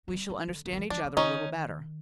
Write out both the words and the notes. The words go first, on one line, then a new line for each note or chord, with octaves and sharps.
"We shall understand each other a little better."
F#3
G3
E3
D3
D#3
E3
F3
F3 D4
E3
D#3 C#4 D#4